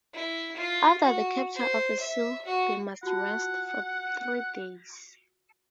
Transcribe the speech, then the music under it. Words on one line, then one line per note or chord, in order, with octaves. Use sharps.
After the capture of a seal, they must rest for three days.
E4
F4
F#4
C5
E5
F#4
F4 F#4 F#5 A5